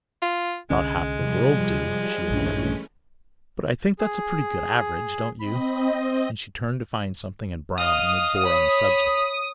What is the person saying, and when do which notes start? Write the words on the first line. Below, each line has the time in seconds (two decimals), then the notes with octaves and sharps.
"About half the world do," she admitted, "but I think that's a pretty good average, don't you?" and she turned to find something in Browning that bore on the subject.
0.22 F4
0.70 C2 D3 G#3 C#4
1.20 C3 F3 G3
2.31 A#1 G2 E3 A3 C#4 D4
3.99 G#4
5.40 C4 D#5 B5
7.78 D#5 F5 D#6
8.43 C#5 B5